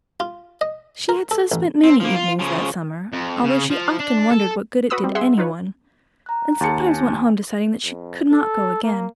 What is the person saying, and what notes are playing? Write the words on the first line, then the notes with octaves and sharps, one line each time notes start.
She had so spent many evenings that summer, although she often wondered what good it did any one, and sometimes went home deciding that she could not go again.
F4
D#5
A#4
A4
A1
C4
F3 A#3
F4
C#3 F3
F2
C#3
F3
D4
A4
F#4 B4 B5 D#6 E6
G3 C4
G#4 E5 F#5 C6 E6
D#4 F4 B4 C#5
A#5 F#6
D#2 A5 C#7
G#5
F2
A4
A#3